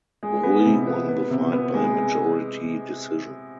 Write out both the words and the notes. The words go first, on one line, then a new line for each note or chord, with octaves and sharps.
Rui won the fight by majority decision.
G#3
B3
C3
B3
B3
C3
B3
G#3